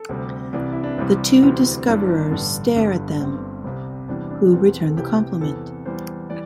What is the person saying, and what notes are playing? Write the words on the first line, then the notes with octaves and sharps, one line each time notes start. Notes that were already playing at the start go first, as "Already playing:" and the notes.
The two discoverers stare at them, who return the compliment.
Already playing: A4
D2 C3 G3
C2 C3 E3 G3 D5
E4
D4
C2 C3 E3 G3 C4
D2 C3 E3 G3 C4
G1 G2 E3 G3 D4
A1 G2 D3
G1 G2 D3 G3
D4
G1 G2 G3 C4
C2 C3 G3
E2 C3 E3 G3 D4
D4
E1 E2 E3 C4
A4
C2 C3 E3 G4
E2 C3 E3 A4
E2 E3 G3 C5
E3 G3 D5